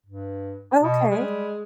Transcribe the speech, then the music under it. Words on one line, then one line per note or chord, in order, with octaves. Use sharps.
Oh, okay
G2
B2
G3 G#3